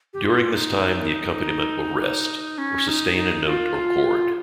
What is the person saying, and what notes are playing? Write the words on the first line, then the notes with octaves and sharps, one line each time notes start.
During this time the accompaniment will rest, or sustain a note or chord.
G4
F4
D#4
C#4
D#4
D#4
F4